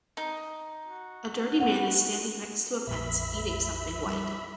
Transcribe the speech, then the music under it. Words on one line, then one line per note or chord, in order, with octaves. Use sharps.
A dirty man is standing next to a fence, eating something white.
D#4
F#4
F#5
A#1 F2 E5 B5
G3